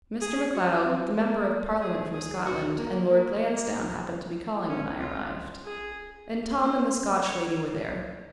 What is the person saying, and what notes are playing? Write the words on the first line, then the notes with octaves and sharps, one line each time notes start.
Mr. MacLeod, the member of Parliament from Scotland, and Lord Lansdowne happened to be calling when I arrived, and Tom and the Scotch lady were there.
G#4
F#4
C4
A#3
G#4
G#4
F#4
A#3
A#3
A#3
C#4
F4
G#4
C5
C#5